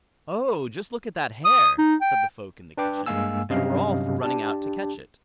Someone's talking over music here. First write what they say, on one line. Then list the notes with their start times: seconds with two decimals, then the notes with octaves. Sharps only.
'Oh, just look at that hare!' said the folk in the kitchen, and were all for running out to catch it.
1.45 D#6
1.79 D#4
2.02 G5
2.77 D4 B4 G5 D6
3.06 G2 G#3 A#3 F5 G#5 E6
3.50 G2 C3 F#3 C#4 D#5 F5
4.21 D4 G4 A5